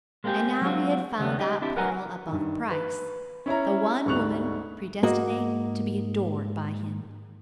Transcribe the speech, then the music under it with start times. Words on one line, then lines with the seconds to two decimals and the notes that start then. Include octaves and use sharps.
And now he had found that pearl above price, the one woman predestinate to be adored by him.
0.24 G#3 A#3 C4 C#4 G4 G#4
0.62 F#3 G#3 C4 F4 F#4
1.18 D#2 C#3 G3 B3
1.39 D#4 G4 D#5
1.62 C4 D4 E4 G4
1.77 A#4 B4 F#5 G#5 A#5
2.28 G2 D#3
2.71 B4
3.46 C#4 E4 C#5 A#5
4.06 D2 G#2 G3 C#6 F#6 F7
5.03 G#2 A#3 F#4 D#5